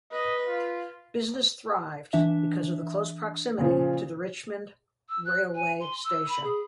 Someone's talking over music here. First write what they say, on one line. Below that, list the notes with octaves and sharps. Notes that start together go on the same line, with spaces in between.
Business thrived because of the close proximity to the Richmond railway station.
B4 D#5
F4
E3 D4 E5
A#2 C#3 F3
E6
F#6
G#5
C6
E6
B5
G#4